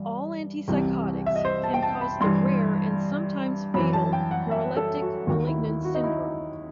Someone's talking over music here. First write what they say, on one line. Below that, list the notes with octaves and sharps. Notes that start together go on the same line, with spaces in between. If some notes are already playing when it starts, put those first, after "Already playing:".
All antipsychotics can cause the rare and sometimes fatal neuroleptic malignant syndrome.
Already playing: G2 E3
C2 C3 E3
E5
D#5
C5
A5
G5
A5
B5
G2 E3 C6
F#2 E3 B5
A5
G5
F#5
E5
A4
F#4
D#2 D#3 F#4
E4
E4
F#4
D#4
E4